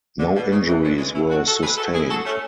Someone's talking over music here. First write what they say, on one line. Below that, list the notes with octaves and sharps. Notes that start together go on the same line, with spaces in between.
No injuries were sustained.
B2 D3
B2
C#3
C#3 E3
D3 F#3
E3 G#3
C#4 E4
D4 F#4
F#4 A4
G#4 B4
F#4 A4
E4 G#4
F#4 A4
A3 C#4